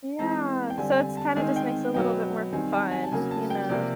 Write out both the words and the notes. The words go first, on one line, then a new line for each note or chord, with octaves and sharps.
Yeah. So it's kinda just makes it a little bit more fun, you know.
E3 G#3 C4 A5
G5
D3 G3 C4 G#5
G#5
A5
D#3 G#3 C4 G#5
G5
B2 F#3 B3 G5
D#3 G3 C4 G#5
A5
G#5
A5
C#3 F#3 A#3 G#5
A5
G5
C3 F3 A#3 D5